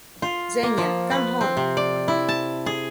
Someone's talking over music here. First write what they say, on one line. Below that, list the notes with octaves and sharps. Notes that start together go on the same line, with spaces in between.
Zhenya, come on!
F4
A#3
F3
B4
C4
C3
D5
E4
A5
G#4